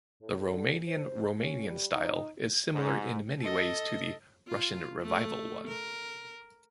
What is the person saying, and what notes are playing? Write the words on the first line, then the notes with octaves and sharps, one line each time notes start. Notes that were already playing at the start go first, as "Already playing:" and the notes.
The Romanian Romanian style is similar in many ways to the Russian Revival one.
A2
D3
C5
C#4
G3
D#4
G#2
A4 D#5
F4
A3
A#4